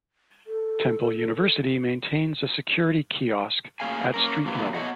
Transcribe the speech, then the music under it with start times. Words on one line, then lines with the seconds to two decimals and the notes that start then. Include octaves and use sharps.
Temple University maintains a security kiosk at street level.
0.47 A4
3.80 A2 A#3 C#4 G#4 F5 G#5
4.14 A#3 C#4 A#4
4.46 C3 E3 A#3 B3
4.74 B3 F#4 C#5 D#5 F#5